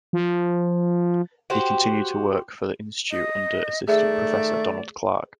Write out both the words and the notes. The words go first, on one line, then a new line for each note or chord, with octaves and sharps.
He continued to work for the Institute under Assistant Professor Donald Clark.
F3
F#4 G4 C5
D#5
D#3 A3 G#4 D5 E5